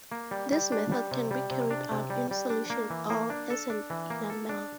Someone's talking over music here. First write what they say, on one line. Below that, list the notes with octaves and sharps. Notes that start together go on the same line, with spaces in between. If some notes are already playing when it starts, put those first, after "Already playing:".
This method can be carried out in solution or as an enamel.
A#3
G3
G3
D4
G3
C3
G3
C3
D4
C3
G3
G3
D4
A#3
E3
A#3
D4
A4
D4
E3
A#3
A4
D4